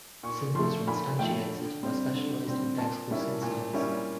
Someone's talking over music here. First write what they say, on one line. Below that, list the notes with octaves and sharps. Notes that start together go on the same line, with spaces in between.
Symbols are instantiated by specialized indexical sinsigns.
A#2 C#6
F3 A3 C6
A#2 B5
F3 A3 G5
D3
G3 C4
D3
G3 C4
A#2 A5
G3 A#3 C#4 E4
A#2
G3 A#3 C#4 E4